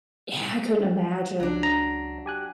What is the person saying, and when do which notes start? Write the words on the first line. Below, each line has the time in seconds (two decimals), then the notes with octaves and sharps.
Yeah, I couldn't imagine.
1.40 C#2 F#3 D4
1.63 A#5
2.26 G4 G#5 F#6